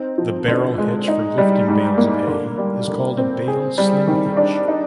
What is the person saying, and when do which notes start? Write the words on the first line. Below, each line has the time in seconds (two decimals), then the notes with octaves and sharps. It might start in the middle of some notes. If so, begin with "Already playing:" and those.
The barrel hitch for lifting bales of hay is called a "bale sling hitch".
Already playing: C4 D#4
0.18 F3
0.48 D3
0.78 G#3
1.08 D#4
1.38 G3
1.68 G#2
1.98 A#3
2.28 D3
2.58 G3
2.88 D3
3.17 C4
3.48 G#4
3.78 G3
4.07 D#3
4.37 D4
4.68 D#4